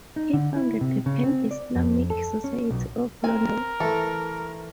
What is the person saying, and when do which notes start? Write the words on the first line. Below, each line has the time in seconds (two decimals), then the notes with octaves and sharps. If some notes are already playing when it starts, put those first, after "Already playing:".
He founded the Pan Islamic Society of London.
0.16 D#4
0.33 D3
0.56 E4
0.81 C3
1.06 C#3
1.24 C4
1.51 D5
1.75 F2
2.10 A4
2.44 C#4
2.71 B1
3.24 C4 A#4 G#5
3.80 E3 A3 A4